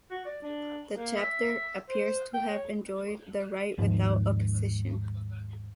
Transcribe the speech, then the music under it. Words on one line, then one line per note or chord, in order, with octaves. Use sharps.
The chapter appears to have enjoyed the right without opposition.
F#4
D5
D4
A#3
E5
C5
G5
C#5
D#2 G#2 F3